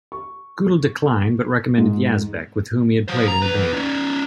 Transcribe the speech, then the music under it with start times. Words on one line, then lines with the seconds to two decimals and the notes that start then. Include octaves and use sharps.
Guettel declined, but recommended Yazbek, with whom he had played in a band.
0.12 C#6
1.78 G#2
3.08 F#3 C5
3.28 A#5
3.42 E2 B4
3.73 C#4 D#4